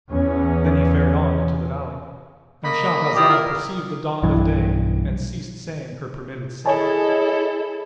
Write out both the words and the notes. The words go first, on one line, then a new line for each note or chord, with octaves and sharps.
Then he fared on into the valley.--And Shahrazad perceived the dawn of day and ceased saying her permitted say.
E2 C#4
A#3 D#5 B5
E4 F4 G4 D5 D#6
A#4
B1 G2 E3
E4 G#4 A4 C#5 D#5 G#5 A5